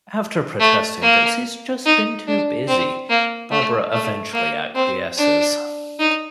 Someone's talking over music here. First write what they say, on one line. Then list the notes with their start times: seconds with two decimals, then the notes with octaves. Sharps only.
After protesting that she's just been too busy, Barbara eventually acquieces.
0.60 A3
1.02 A#3
1.86 D#4
2.27 D4
2.68 C4
3.09 A#3
3.51 A3
3.92 A3
4.34 A#3
4.75 C4
5.17 D4
5.99 D#4